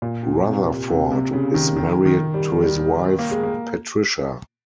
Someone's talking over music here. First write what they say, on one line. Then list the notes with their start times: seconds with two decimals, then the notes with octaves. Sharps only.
Rutherford is married to his wife, Patricia.
0.02 A#2
0.46 C3
0.90 C3
1.12 C3
1.33 C#3
1.54 D#3
1.76 D#3
2.05 D#3
2.34 G3
2.63 G3
3.19 A#3
3.31 G#3
3.43 A#3